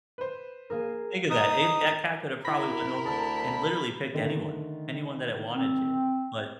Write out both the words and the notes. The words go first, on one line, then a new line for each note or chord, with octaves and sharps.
think of that. If that cat could have probably went over and literally picked anyone. Anyone that it wanted to, but
B4 C5
A#3 G#4 A#4
D#4 D#6
E4 A#4 B5 A#6
D2 D3 A5
D3 D#3 A3
C4